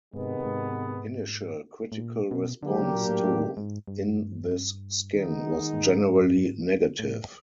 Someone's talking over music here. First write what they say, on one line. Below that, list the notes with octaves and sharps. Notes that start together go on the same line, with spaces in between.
Initial critical response to "In This Skin" was generally negative.
G#2 C3 D#3 G#3 B3
G#2
A2
A#2
B2
D3 F#3 A#3 D4 G4 A#4
C#3
A#2
A2
A2
G#2
G2
D#3 G#3 B3 D#4
G#2
A2